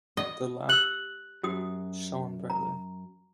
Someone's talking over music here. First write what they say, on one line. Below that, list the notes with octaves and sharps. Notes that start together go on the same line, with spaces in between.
The lamp shone brightly.
D#5
G4 E6 F#6 F#7
F#2 F#4 G4 D#6
A#5